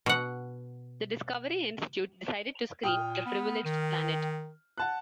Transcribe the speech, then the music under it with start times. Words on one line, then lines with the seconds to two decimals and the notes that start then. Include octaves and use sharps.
The Discovery Institute decided to screen "The Privileged Planet".
0.06 B2 F#5
2.83 A#2 G5 D#6 F6
3.26 B3
3.65 D#3
4.78 F#5 A5 F#6